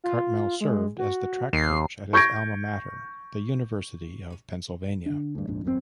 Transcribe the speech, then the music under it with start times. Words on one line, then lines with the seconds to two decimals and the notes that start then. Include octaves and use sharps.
Cartmell served as the track coach at his alma mater, the University of Pennsylvania.
0.04 F4
0.61 G#3
0.98 F#4
1.53 D#2 C7
2.13 C#6 G6 G#6 A#6 D7
5.06 D3 D4
5.35 D2 G2
5.47 A#1 F2 G#2 D4
5.64 G#1 F#2 C3 C4